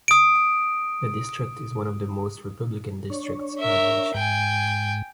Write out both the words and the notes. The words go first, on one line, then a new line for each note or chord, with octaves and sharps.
The district is one of the most Republican districts in the nation.
D#6 D7
D4 C#5
A#4 E5
G#2 G5 G#5